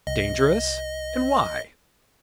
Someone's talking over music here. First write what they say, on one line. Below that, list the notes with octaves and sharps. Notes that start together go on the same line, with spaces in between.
"Dangerous!--and why?"
C2 D#5